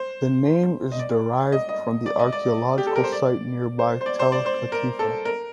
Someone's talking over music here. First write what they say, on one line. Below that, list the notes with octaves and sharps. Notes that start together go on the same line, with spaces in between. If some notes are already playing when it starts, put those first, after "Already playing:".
The name is derived from the archaeological site nearby, Tel Katifa.
Already playing: C5
D#5
D5
D#5
D#5
D5
D#5
D5
G4
A4
A#4
C5
D5
C5
C5
D5
C5
D5
C5
A#4
A4
A#4